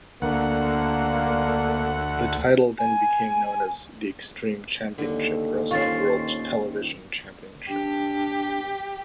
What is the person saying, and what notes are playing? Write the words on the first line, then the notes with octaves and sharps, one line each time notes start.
The title then became known as the Extreme Championship Wrestling World Television Championship.
D2 D3 A#3 F#5
G#5
D#2 D3
D#3 C4 C#4 F4 C#5 C#6 A6 C7
D4 G4